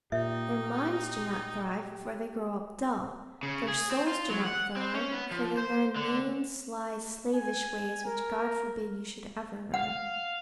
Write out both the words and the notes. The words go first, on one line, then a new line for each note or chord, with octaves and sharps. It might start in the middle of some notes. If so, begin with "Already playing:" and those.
Their minds do not thrive; for they grow up dull. Their souls do not thrive; for they learn mean, sly, slavish ways, which God forbid you should ever learn.
A#2 D#4 G4 E5
C#3
G#4
C4
F4
F#3
F#5
C4
C#4
B3
F3
C5
D3
G#5
A#4
F5 F#5